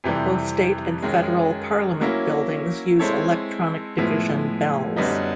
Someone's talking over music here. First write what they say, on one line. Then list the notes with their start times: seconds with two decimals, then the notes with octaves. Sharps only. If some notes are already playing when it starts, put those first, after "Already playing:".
Both State and Federal Parliament buildings use electronic division bells.
0.04 F2 C3 E3 G3
1.02 F#2 D#3 G#3
2.01 F#3 A#3 C#4 E4
2.99 G#3 C4 E4 A4 C#5
3.98 A2 F3 G#3 B3 E4
4.96 F#2 D3 G3 B3 D#4